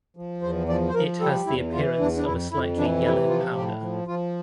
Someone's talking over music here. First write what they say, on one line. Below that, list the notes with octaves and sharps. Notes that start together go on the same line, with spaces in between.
It has the appearance of a slightly yellow powder.
F3
E2 C5
F3 D5
C5
F3 A#4
G3 A4
E2 E4
E3 F4
E2 D4
D4
F2 E4
F2 E4
E3 D4
C3 E4
F3 F4
A2 G4
F3
F3 F4